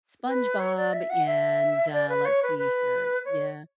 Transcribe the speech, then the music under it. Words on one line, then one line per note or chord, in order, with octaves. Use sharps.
SpongeBob and, uh Let's see here. Yeah.
B4
C#5
D5
E5
F#5
E5
D5
B4
C#5
B4
B4
C#5